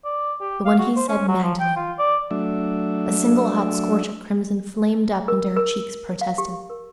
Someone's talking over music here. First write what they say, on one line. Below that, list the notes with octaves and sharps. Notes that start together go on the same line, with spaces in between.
But when he said "Magdalen!" a single, hot scorch of crimson flamed up into her cheeks protestingly.
D5
G4
F5
F#4
C5
C#4
F#3
F3
G5
F4
D5
F#3 A3 D4 E5
A#4
A#4
F5
G4
A#4